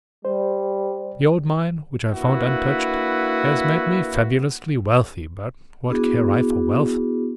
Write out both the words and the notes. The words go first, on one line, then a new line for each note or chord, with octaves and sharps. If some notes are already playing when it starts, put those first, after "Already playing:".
The old mine, which I found untouched, has made me fabulously wealthy; but what care I for wealth!
G3 C5
A#3 D4 E4 F#4 B4
B3 D4 E4 F#4 G#4